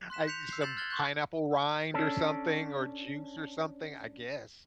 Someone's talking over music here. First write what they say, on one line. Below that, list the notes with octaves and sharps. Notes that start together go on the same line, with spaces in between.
I some pineapple rind, or something, or juice, or something, I guess.
C6 F#6 B6 E7
G6 B6 C#7 F7
E6 C7
G6 A6 C7 E7 F#7
F6 F#6 G#6 A6 F#7 G7
C6 C#6 F#6 G6
C#4 D4 A4